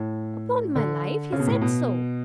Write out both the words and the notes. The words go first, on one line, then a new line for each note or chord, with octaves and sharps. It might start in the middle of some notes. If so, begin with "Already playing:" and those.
'Upon my life, he said so!
Already playing: A2
D3
C#3
B2
A2
B2